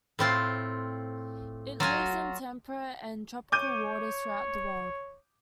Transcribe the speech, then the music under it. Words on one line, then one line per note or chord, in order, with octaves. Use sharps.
It lives in temperate and tropical waters throughout the world.
A2 C4 F4 C6
F#3 F4 F#4 G#5
C#5 D6 G6 D#7